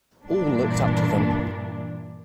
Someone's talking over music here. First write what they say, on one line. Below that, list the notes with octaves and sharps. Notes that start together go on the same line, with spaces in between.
All looked up to them.
G2 A#2 E3 D4